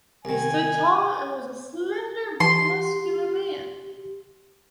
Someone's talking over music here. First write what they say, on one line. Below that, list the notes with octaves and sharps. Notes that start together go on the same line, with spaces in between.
He stood tall and was a slender but muscular man.
C2 D#3 G#5
E3 G4 C6 C7